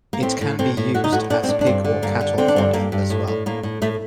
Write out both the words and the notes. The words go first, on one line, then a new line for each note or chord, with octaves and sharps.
It can be used as pig or cattle fodder, as well.
A#3
A2 C4
A2
A2 C4
A2
A2 F#4
D#4
A2 F#4
A2 D4
C4
A2 D4
D4
G2 C4
D3
G2 A#3
D3
D3 C4
D4
G2 C4
G2 A#3
G2
A2
A2
A2 A#3
A2
A2 A3